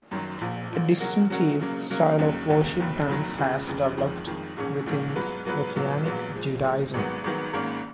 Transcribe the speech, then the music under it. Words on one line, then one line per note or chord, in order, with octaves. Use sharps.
A distinctive style of worship dance has developed within Messianic Judaism.
F#2 D#3 F#3
A#1 A#2 F3
A#1 A#2 F3
C#3 F#3 C#4 F#4 A#4
C#3 F#3 C#4 F#4 A#4
C#3 F#3 A#3
C#3 F#3 A#3
D#2 C#3 F#3 C#4
D#2 C#3 F#3 C#4
F1 D#2 D#3 F#3
F1 D#2 D#3 F#3
F1 F2 C#3 G#3
F1 F2 C#3 G#3
F2 D#3 G#3
F2 D#3 G#3
A#1 G#2 D#3 G#3 C#4
A#1 G#2 D#3 G#3 C#4
G#2 F#3 B3 F4 B4
G#2 F#3 B3 F4 B4
A#1 G#2 F#3 B3 F4
A#1 G#2 F#3 B3 F4
A#2 F3 G#3
A#2 F3 G#3
G#1 G#2 D#3 F#3 B3
G#1 G#2 D#3 F#3 B3
G#1 G#2 D#3 A#3 C#4